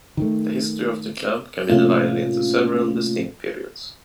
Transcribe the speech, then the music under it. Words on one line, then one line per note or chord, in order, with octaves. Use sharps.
The history of the club can be divided into several distinct periods.
D#3 A3
A2 C3 A3 A#3 C#4 F4